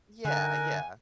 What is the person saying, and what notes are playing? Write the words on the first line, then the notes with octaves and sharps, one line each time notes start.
Yeah, yeah.
D3 D#4 A#4 G#5 F#6